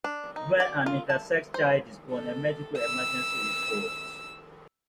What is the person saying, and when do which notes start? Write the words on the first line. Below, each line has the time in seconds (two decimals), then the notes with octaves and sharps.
When an intersex child is first born, a "medical emergency" is called.
0.04 D4
0.36 D#4
0.60 D5
0.86 F4
1.10 A5
1.54 C5
2.11 A4
2.77 E6